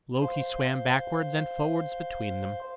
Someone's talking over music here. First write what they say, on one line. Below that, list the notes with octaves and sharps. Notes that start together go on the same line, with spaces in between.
Loki swam backwards and forwards between them.
C5 F5 C6